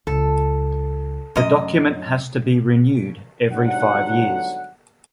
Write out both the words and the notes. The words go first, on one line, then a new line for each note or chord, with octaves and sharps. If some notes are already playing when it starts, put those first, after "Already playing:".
The document has to be renewed every five years.
C#2 A4
F#2 A3 D#5
G1 G#2 D3 F#3 F#5